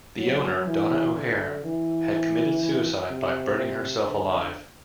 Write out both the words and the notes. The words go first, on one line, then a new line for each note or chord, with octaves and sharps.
The owner Donna O'Hara had committed suicide by burning herself alive.
F#3
E3
D3
E3
C3
D3